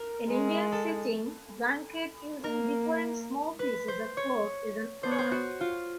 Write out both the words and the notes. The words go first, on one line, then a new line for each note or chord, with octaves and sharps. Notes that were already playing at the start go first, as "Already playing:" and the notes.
In Indian stitching blanket using different small pieces of cloth is an art.
Already playing: A#4
G#3
A4
A#3 A#4
B4
C5
C#5
B3 C5
C#5
C5
F#4
F4